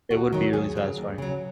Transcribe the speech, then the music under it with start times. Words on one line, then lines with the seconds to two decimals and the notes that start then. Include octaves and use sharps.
it would be really satisfying.
0.11 D#2 F#4
0.33 D#3 F#3
0.53 D#2 G#4
0.76 C#3 F#3
0.97 D#2
1.18 C#3 F#3